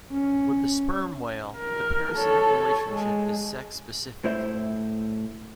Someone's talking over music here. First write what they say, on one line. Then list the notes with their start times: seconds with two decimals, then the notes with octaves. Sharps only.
With the sperm whale, the parasitic relationship is sex-specific.
0.14 C#4
1.58 A#4
2.16 A4 C#5
2.89 G#3
4.24 A2 E4 C5 E5